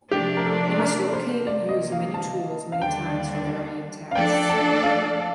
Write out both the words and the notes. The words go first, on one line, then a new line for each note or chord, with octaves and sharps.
He must locate and use many tools many times for varying tasks.
C3 F3 A3 D4 G4
A#4
A4
A#4
C5
C3 D#3 A#3 D5
D#5
F5
A5
F5
D#2 D3 G3 D4 G5
F5
F3 A3 D4 A4 D5 G5
G5
A5
F5